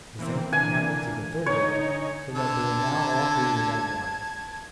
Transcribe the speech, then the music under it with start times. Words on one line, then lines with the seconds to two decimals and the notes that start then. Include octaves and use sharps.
The same thing happened to the third rogue, so that they were now all three without wives.
0.19 E3 A#3 C4
0.53 E3 A#3 D4 G#5
1.46 D3 D#4 C#5
2.35 D3 A4 A5 G#6